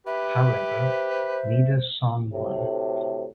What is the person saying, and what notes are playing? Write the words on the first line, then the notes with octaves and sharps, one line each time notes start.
However, neither song won.
G4 B4 E5
C5
D2 A2 C3